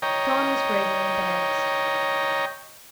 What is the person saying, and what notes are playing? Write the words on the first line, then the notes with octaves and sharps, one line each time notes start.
John was gravely embarrassed.
C#5 D#5 G5 A#5